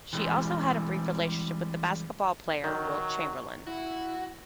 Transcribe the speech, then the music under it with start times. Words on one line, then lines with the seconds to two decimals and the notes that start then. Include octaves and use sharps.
She also had a brief relationship with basketball player Wilt Chamberlain.
0.13 E3 G3 G#3 C4
2.64 D#3 F#3
3.67 E4 F#4